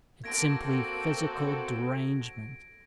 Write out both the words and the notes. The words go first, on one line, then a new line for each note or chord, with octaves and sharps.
It's simply physical derangement.
A#3 C4 F#4 A4 G#6 A#6 D7